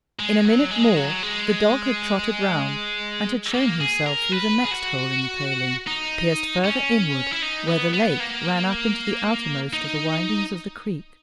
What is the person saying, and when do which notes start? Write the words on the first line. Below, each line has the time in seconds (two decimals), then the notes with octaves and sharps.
In a minute more, the dog had trotted round, and had shown himself through the next hole in the paling, pierced further inward where the lake ran up into the outermost of the windings of the creek.
0.19 G#3
0.45 F#3
0.71 G#3
0.96 F#3
1.23 G#3
3.54 A#3
3.81 G#4
4.06 A#4
4.32 B4
4.64 G#4
4.71 F#4
5.87 D#4
6.64 C#4
7.32 E4
7.42 D#4
7.67 B3
7.93 B3
8.20 A#3
9.73 D#4